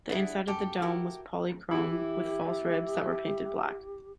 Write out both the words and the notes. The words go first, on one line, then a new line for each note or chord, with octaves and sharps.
The inside of the dome was polychrome, with false ribs that were painted black.
D4 E4 G#4 F#5
F#2 G4 A4
E4 F#4 A#4
E3 E4 G4 E5